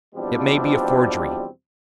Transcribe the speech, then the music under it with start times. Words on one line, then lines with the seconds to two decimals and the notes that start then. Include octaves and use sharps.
It may be a forgery.
0.14 E2 B2 F3 G3 C4 D4